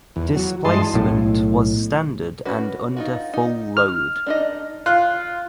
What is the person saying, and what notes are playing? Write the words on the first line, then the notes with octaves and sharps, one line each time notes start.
Displacement was standard and under full load.
E2
F#3
G2 E3 G#3 D#5 A5 C6
B1 A2
C#4 F#4 B4
D#4 F4 F#4
D#4
F6
D4 D#4 D#5
F4 F#6